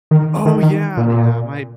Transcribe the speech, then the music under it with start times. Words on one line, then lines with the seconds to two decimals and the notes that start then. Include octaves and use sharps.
Oh, yeah, yeah, my
0.11 D#3
0.45 D#3
0.62 D#3
0.97 A#2